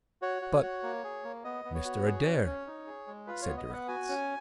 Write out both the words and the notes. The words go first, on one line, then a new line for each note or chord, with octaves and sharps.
"But Mr. Adair?" said Durrance.
F#4 C#5
F#4
F#4
A#3
G#4
A#3
B3 D#5
B3
C#5
F#4
G#4
C#4
C#4
D#4
G#4
G#3
F4 B4
C#5
B3
D#5
B3 F#5
F#4 G#5
C#4